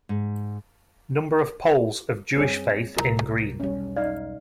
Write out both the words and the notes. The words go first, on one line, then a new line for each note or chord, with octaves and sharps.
Number of Poles of Jewish faith in green.
G#2
F#2 G3 C4 G#4 B4 C#5
C2 F4 A#4 A#5
B1 E2 G3 C#4
D#4 D5 F5